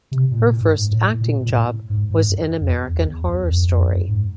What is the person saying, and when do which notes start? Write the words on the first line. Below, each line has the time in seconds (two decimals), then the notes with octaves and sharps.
Her first acting job was in "American Horror Story".
0.12 C3
0.31 A#2
0.39 A2
0.46 A#2
0.61 G#2
0.70 G2
0.79 G#2
0.91 A2
1.21 A#2
1.40 A#2
1.50 A2
1.90 G#2
2.10 G#2
2.30 G2
2.61 F2
2.69 E2
3.00 E2
3.29 E2
3.49 F2
3.68 F2
3.89 F#2
4.08 G#2